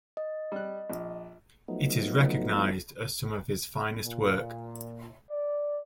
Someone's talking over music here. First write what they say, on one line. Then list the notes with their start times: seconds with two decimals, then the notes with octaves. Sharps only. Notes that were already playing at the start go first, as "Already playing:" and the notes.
It is recognised as some of his finest work.
0.17 D#5
0.52 G3 F#6
0.90 A#1
1.68 F3 F#3 A3 B3 D#4
4.04 A#2
5.30 D5